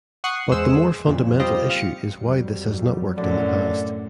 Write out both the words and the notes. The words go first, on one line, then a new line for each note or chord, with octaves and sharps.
But the more fundamental issue is why this has not worked in the past.
F#5 C#6 D#6 F#6 C7
E2 G#3 G#4 C5 E6 E7
F2 A#2 C#3
G3 C4 F4 G4 C5 D#5
F5 C#7
F2 F#3 G3
F#2 A2 D3